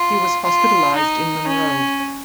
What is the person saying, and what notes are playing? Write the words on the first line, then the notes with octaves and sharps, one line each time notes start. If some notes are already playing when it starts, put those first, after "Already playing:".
He was hospitalized in Monroe.
Already playing: F4
F4
D#4
C#4